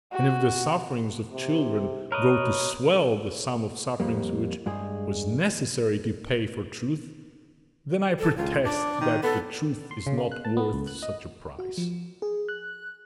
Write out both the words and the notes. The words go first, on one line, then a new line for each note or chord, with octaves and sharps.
And if the sufferings of children go to swell the sum of sufferings which was necessary to pay for truth, then I protest that the truth is not worth such a price.
F#4
C3
A#4 B4 C#5 D#5
F2 G3 A#3
G2 G#3 G#4
A4
C#2 F4
D4 D6
D#3
B3 A4
C6
C#3
A#3
F#6
A5
B3
C#2
F#6
D#5
F#4
F3
G#4
F#6